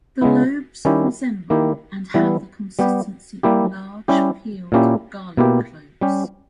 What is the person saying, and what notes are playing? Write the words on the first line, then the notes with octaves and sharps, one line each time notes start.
The lobes resemble, and have the consistency of, large peeled garlic cloves.
C#3 G#3 B3 E4
D#3 G3 C#4 E4 G4
D#3 A#3 E4 G4
E3 G3 B3 E4
G3 B3 G4
G3 A#3 E4 G4
G3 C#4 E4 G4
A#2 A#3 C#4 E4 G4
B2 A#3 E4 G4
G3 C#4 G4